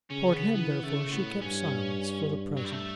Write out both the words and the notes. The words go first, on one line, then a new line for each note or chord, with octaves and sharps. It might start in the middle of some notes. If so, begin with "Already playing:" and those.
Toward him, therefore, she kept silence for the present.
C#3 C#4
B3
E3 B3
C#3 A3
A2 B3
G2 C#4
F#3
G3
A3